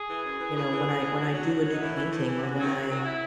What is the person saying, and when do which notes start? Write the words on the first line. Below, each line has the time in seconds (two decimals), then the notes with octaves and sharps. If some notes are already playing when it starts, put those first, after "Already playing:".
you know, when I when I do a new painting or when I
Already playing: G#4
0.08 E3
0.23 F#2
0.39 E3
0.55 A2 G#4
0.70 E3
0.86 A2
1.01 E3
1.17 A2 F#4
1.32 F#3
1.48 A2
1.65 F#3
1.72 D#4
1.80 A2 E4
1.95 E3
2.10 A2
2.26 E3
2.42 F#2 F#4
2.58 D#3 F#3
2.73 F#2
2.88 D#3 F#3
3.04 E4